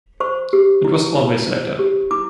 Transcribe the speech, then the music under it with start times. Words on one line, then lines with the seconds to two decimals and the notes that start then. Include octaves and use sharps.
It was always like that.
0.20 C5 C#6
0.53 G4
0.85 E4
1.15 E4
1.47 C5
1.79 G4
2.11 E4 D6